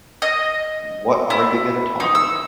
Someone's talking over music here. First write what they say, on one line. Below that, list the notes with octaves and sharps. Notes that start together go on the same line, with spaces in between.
what are you gonna talk about?
D#5
E4
D#4
E6